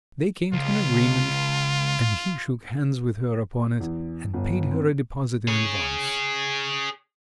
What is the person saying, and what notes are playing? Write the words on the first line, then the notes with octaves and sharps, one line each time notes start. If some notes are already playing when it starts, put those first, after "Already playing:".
They came to an agreement, and he shook hands with her upon it, and paid her a deposit in advance.
C#2 F4
E2
G1
C4
G#4 C#5